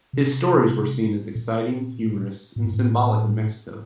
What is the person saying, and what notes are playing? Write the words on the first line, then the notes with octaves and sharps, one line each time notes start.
His stories were seen as exciting, humorous, and symbolic of Mexico.
C3
A#2
A2
G2
A2